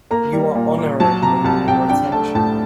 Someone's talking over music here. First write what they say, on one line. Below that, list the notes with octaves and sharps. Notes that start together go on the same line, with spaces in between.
You are honouring me with your attention?
A#3 A#5
G3
A#2
A#2
F#3 A5
C3 A#5
C2 A5
C2 G5
D4 G5
A3 A5
A2 A5